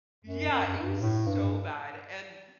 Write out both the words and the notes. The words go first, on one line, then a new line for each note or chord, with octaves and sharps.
Yeah, it was so bad, and,
F#2
F#2
F#2
G2
A2
G2